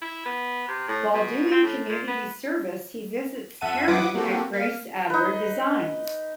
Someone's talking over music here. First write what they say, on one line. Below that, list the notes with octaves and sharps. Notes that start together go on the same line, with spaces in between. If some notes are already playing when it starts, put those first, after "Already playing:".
While doing community service he visits Karen at Grace Adler Designs.
E4
B3
C3
A2
B2
C4
A2
A#2
B3
F2 E5 F#5 A5 D#7
F#3 E4 B4 F#5 D6 D#6
A#3 C4 F#4 G4 A4
A#3 F5
D#4 B4